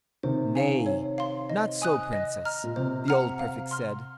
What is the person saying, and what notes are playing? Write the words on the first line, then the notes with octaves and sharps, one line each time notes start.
"Nay, not so, Princess," the old prefect said.
C3 D#3 C5
F5 G#5
C#5
F5 C6
D#5
G#5 D#6 F#6
D#5
A#5 F6
A#2
C3 C5
F#5 A#5 F6
F5
C6 F6